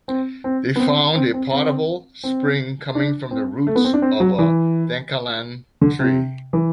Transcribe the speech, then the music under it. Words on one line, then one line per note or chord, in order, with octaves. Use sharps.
They found a potable spring coming from the roots of a Dankalan Tree.
C4
C4
B3
C4
C4
C4
C4
C4
D4
C4
A3
B3
C4
D4
C4
F#3
E3
D3
C3
E3